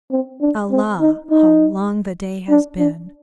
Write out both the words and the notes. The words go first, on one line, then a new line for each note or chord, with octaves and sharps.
Allah! how long the day has been....
C4
D4
C4
D#4
D#4
D4
D4